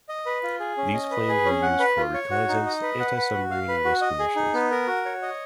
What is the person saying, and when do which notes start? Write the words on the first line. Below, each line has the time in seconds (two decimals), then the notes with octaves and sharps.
These planes were used for reconnaissance, anti-submarine, and rescue missions.
0.09 D#5
0.26 B4
0.43 F4
0.60 G#4
0.77 C#4
0.94 D#5
1.11 B4
1.29 G#4
1.45 C#4
1.62 F#5
1.79 B4
1.97 F4
2.14 C#5
2.31 F#4
2.49 D#4
2.66 D#5
2.82 B4
3.00 F#5
3.17 B4
3.34 F#4
3.51 F5
3.68 B4
3.85 F#4
4.02 D#5
4.19 G#4
4.36 D#4
4.53 B3
4.71 A#4
4.87 F#4
5.05 C#5
5.22 D#5